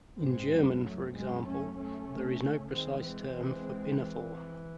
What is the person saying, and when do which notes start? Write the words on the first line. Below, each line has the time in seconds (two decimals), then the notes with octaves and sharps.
In German, for example, there is no precise term for pinafore.
0.19 G#2 G#3 C4
0.52 F#2
0.82 F#2 F#3 A3
1.14 G#3 C4
1.45 A3 C#4
1.77 A3 C#4
2.08 C3
2.40 C#3
2.71 D#3 G#3 C4
3.03 E3 G#3 C4
3.35 E3
3.97 E3